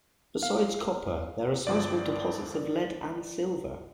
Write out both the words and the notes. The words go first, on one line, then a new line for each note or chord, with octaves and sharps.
Besides copper, there are sizeable deposits of lead and silver.
F5
G1 G2 F3 D5